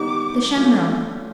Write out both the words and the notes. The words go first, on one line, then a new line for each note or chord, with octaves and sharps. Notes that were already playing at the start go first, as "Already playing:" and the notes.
The Shamrock.
Already playing: D#3 G3 B3 D#4 G4 D6
D3 F#3 A3 D4 F4